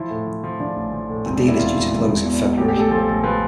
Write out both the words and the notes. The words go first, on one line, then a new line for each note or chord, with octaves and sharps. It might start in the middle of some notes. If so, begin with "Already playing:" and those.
The deal is due to close in February.
Already playing: F3 E4
A2
F3
F3
F3 D4
A1
F3
A2
E1 C4
D4
E2
E4
E1 F4
E1
E1
E1
E2
E2
A1 G4
G4
A1
A4
F3 A4
A1
F3 B4